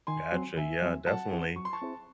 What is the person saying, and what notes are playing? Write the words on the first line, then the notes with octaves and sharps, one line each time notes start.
Gotcha, yeah, definitely,
D#3 G#5 C6
F#3 C4
D#3 E5 G#5
F#3 C4
F#3 F#5 A5
C4 E4 G#4 C5
F#3 C#6
C6
A5 C#6
C4 E4 G#4 C5